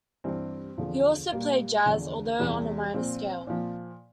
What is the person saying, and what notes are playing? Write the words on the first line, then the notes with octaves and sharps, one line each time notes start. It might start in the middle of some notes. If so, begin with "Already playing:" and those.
He also played jazz, although on a minor scale.
G2 E3 G3 C4
E2 D3 F3
A#2 G3 A#3
E2 D3 F3
E2 C3 E3 G3
A#2 F3 C4
A#2 F3